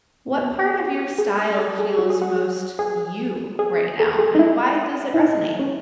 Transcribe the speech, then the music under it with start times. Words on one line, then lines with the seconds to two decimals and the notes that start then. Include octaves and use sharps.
What part of your style feels most you right now, and why does it resonate?
0.38 B3
1.18 G#4
1.39 G#4
1.59 A4
1.79 G#4
1.99 F#4
2.10 G#4
2.22 F#4
2.79 G#4
3.59 G#4
4.00 A4
4.19 G#4
4.35 D#4
4.39 E4
5.14 E4
5.19 D#4
5.59 C#4